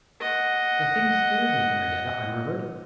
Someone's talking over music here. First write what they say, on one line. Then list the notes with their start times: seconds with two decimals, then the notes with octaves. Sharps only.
"The thing scares me, Henriette," I murmured.
0.20 D#5 F#5